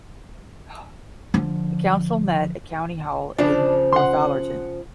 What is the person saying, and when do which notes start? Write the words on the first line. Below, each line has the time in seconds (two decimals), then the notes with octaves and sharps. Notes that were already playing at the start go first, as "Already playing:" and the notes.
The council met at County Hall in Northallerton.
1.34 D3 F3
3.38 C#3 F3 D4
3.93 F#5 C6